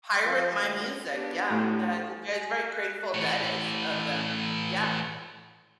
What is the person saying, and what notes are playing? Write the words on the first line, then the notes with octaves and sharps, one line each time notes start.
Pirate my music. Yeah. That is a that is very Grateful Dead-ish of them. Yeah.
F3
D2
B3 D4 G4
A2
G#5
F#6
A2 E3